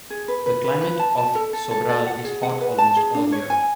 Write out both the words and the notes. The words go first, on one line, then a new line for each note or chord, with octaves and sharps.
The climate of Sobral is hot almost all year.
G#4
B4
B4
B4
B4
A5
A5
A4
A4
A4
D5
F#5
G#4
F#5
B4
A5
G#4
D4
C#5
G#5